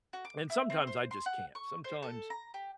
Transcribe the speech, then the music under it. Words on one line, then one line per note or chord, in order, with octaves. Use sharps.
and sometimes I just can't, sometimes,
F#4
D6
E4
C4
C5
C6
F#5
C#6
C5
A4
A#5
G4